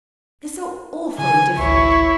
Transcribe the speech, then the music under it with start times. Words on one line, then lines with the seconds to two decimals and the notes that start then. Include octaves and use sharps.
They're so awfully different!'
1.18 C#3 G#5
1.58 G#1 C#2 E4 C#5